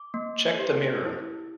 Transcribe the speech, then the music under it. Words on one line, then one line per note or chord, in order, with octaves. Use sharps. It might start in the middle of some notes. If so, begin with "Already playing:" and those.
Check the mirror.
Already playing: D6
A#3
G4
E4